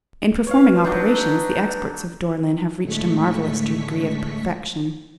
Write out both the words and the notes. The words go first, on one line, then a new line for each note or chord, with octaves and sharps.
In performing operations, the experts of Dore-lyn have reached a marvelous degree of perfection.
B4 C#5 F5
F#3 D4 D#4
A2 D3 G#3 A3 C#6 B6